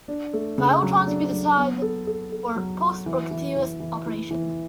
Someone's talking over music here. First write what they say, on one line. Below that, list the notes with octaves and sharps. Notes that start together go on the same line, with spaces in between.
Gyrotrons can be designed for pulsed or continuous operation.
D4
A3
C#3
F#3
D4
F#3
B3
A4
A4
A4
F#3
F#4
E3
E3
E3
E3
E4
E3